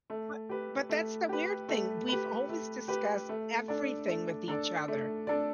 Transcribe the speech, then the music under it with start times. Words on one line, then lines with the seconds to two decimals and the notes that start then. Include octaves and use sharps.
But but that's the weird thing, we've always discussed everything with each other.
0.10 A3
0.49 G4 B4
0.89 A3
1.29 G4 B4
1.69 A3
2.08 G4 B4
2.49 A3
2.88 G4 B4
3.29 A3
3.68 D4 A4 D5
4.08 A3
4.48 D4 A4 D5
4.88 A3
5.27 D4 A4 D5